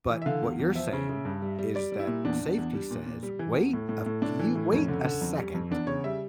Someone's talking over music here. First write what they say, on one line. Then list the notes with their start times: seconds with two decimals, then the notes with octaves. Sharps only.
But what you're saying is that safety says, wait a few wait a second.
0.10 E3
0.22 E5
0.26 D3 F5
0.42 E2
0.59 E2
0.75 F3 E5
0.93 C#3
1.09 C#3
1.25 G2
1.42 G3
1.59 G3
1.75 G3 D5
1.92 G3
1.99 E4
2.07 A#2
2.25 E2 D4
2.41 E2
2.58 E2
2.74 G3
2.91 A#2
3.06 A#2
3.23 G3
3.39 E3
3.56 E2
3.73 A2
3.89 A2
4.06 A2
4.22 A2 D4
4.39 E3
4.56 A2
4.72 F2 C#4
4.88 D3
5.04 D3
5.21 F2
5.38 G3
5.55 F2
5.70 E2 D4
5.87 C#3 C#5
6.04 G3 E5